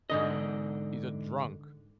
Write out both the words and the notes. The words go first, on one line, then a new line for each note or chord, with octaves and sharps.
He's a drunk.
G#2 D3 D#5